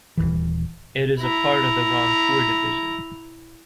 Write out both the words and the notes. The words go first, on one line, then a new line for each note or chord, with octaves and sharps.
It is a part of the Rangpur Division.
D#1 B1 E3
E4 A#5